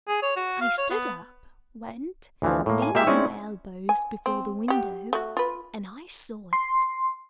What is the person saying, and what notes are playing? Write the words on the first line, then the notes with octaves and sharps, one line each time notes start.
I stood up, went, leaned on my elbows before the window, and I saw it.
G#4
C#5
F#4
F5
C#5
B3
D2 E3 F3
A2 A#3
G#5
G#3 A#3 G4 E5 G5
G#3 C4 C#4 D#4 E4 D5
G#5
C4
G4 F#5
A3 F#4
F4 B4
C6